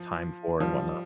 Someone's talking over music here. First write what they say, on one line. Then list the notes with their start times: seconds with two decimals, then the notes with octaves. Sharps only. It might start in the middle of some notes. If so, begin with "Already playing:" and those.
time for and whatnot.
Already playing: F3
0.60 F3 G3